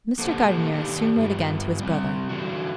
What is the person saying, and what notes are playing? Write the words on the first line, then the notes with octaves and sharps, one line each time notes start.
Mr. Gardiner soon wrote again to his brother.
A#3 G4 A4 C5 F#5 A5
D#3 D4 D#4 G4
G2 F4
G3 C4
D3 E3 F#4